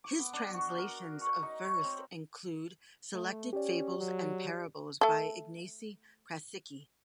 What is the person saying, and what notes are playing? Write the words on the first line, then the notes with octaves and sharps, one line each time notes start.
His translations of verse include selected "Fables and Parables" by Ignacy Krasicki.
D6
B3
D4
F#4
A#4
C#6
D#4
C#5
C4
A3
C#4 G4 D5
F#3
A3 A4